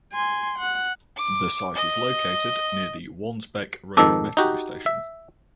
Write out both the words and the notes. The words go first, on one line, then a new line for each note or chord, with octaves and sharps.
The site is located near the Wansbeck Road Metro station.
G#5 C6
F#5
D6
D#5
F2 G#2 D#3 A5 D6 E6
D#4 F#4 G4
E5